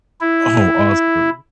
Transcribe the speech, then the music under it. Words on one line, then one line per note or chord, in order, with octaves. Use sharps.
Oh, awesome.
E4